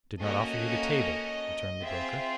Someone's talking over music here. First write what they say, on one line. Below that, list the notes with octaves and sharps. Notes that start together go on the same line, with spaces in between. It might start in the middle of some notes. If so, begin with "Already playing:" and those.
"I did not offer you the table," returned the broker.
A#3 C#4 F#4 A4 D#5
C4 F4 G#4 E5